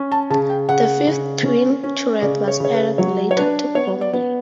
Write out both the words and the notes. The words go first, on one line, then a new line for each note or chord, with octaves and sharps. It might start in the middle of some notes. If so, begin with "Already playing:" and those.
The fifth twin turret was added later to only.
Already playing: C#4
A5
C#3 A5
G5
C#3 F#5
C#3
C#4
C#4
C#3 D5
C#5
C#3 C#5
B4
F#3 C#5
C#5
D4 B4
B3 C#5
D5
B3